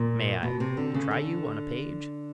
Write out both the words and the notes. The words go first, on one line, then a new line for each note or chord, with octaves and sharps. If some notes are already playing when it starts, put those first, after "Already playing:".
"May I try you on a page?"
Already playing: A#2
B2
C3
D3
C#3
D3